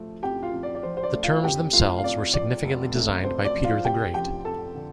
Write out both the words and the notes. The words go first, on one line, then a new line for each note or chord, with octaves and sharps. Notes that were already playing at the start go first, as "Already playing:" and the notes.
The terms themselves were significantly designed by Peter the Great.
Already playing: F3 A3
F2 G4 G5
F4 F5
F2
D5
D5
F3 C5
C5
D5
A3
F4 F5
F1 G4 G5
A3 F4 F5
F5
F2 D5
F3 D5
F1
A3
F2 C5
D5
F3
F4 F5
F1 G4 G5
F3 G4 G5
F2 A4 A5
D3